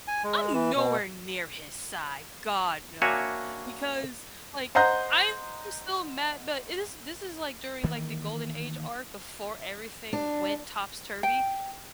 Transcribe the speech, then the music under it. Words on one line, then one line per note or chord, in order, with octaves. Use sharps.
no, I'm no I'm nowhere near his side. God no! Because, like, I'm still mad but it is this is like during, like, the Golden Age arc before everything went top's-turvy,
G#5
G#3
E3
B2
A#3 D4 F#4 C#5 E5 G#5
C5 D#5 F#5 A#5 G6
D#3 E3 A#3
D4
G5